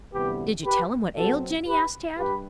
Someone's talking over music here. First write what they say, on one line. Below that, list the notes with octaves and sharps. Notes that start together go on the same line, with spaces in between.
"Did you tell him what ailed Jinny?" asked Tad.
D2 C3 E3 G3 B3 G4 B4
G4 B4
B2 F#3 C4 F#4 A4
G4 B4
G2 G4 B4